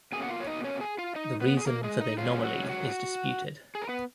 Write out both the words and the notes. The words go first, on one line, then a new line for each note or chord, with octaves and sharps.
The reason for the anomaly is disputed.
B2 A#3 C#4 G#4 G#5
F#5
F4 F5
C#5
D#4 D#5
C#4 C#5
G#4 G#5
F4 F5
D#4 D#5
B3 B4
G#4
A#3 A#4
G#3 G#4
D#4 D#5
G#2 F#3 C#4 F4 F5
F#4 F#5
F#4 F#5
G#4
A#4
B3 B4